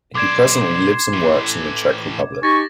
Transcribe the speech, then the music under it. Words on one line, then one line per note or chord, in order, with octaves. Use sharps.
He presently lives and works in the Czech Republic.
B1 D5 C6 D6 G#6 E7
A2 E3
D#4 G4 G#5 C#6 A6 A#6